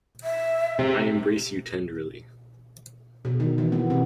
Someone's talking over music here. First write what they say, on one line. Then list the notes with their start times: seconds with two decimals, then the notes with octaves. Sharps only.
I embrace you tenderly.
0.23 E5
0.79 C3
3.25 B2
3.40 D#3
3.58 E3
3.72 B3
3.90 C3